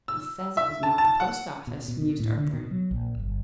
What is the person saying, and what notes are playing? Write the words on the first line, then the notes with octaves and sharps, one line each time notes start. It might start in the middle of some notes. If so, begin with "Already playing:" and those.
"He says it was not the post-office," mused Arthur.
E6
E5
A5
A5
F#5
B2
B2
B2
A2
D3
B2
F#3
A#1
G1